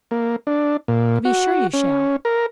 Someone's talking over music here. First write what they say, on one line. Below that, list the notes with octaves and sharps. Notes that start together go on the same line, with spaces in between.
"To be sure you shall."
A#3
D4
A#2
F#4
C#4
A#4